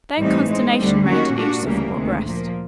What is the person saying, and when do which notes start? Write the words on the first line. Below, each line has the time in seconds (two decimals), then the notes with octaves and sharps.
Then consternation reigned in each sophomore breast.
0.19 A2 E3 G3 C4 D#4
0.48 G#3 C4 D#4
0.78 D2 D3 G3
1.07 D#3 G3 A#3 C#4 F#4
1.36 A#2 G3 A#3 D4 F#4
1.66 D2 C#3 E3 G3 A#3
1.95 D2 C3 D#3 G#3
2.24 A#2 F3 A#3